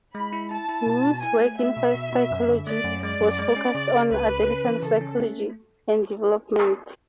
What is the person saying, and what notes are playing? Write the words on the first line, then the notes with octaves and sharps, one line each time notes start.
Muuss’ work in psychology was focused on adolescent psychology and development.
G#3 B5
E4
E4 A5
E4
B2
B2
E4 G#5
A3
A3 E5
B2
B2
B2
F#2
D3
A3 D5
F#2
G#3 D5
F#2
G#3
C#4
C#3
C#3
C#2 B4
C#3
C#4
E3
C#3 A4
C#4
A3